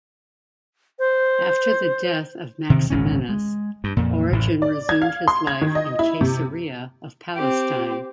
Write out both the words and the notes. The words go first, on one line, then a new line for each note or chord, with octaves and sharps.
After the death of Maximinus, Origen resumed his life in Caesarea of Palestine.
C5
C3 D#3
G#1 C#2 A#2 C#4
G#3
G2
F2 A#2
A1 A2 C#3 E3
D5
G#6
F5
C6
G#6
D#3
D#5
E4
C3
C4 G4